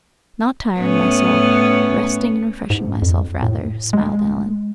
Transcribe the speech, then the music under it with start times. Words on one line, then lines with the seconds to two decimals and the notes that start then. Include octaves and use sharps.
"Not tiring myself--resting and refreshing myself rather," smiled Alan.
0.79 A2 B3 C#4
2.70 G#2
3.02 F2
3.42 A2
3.93 G#3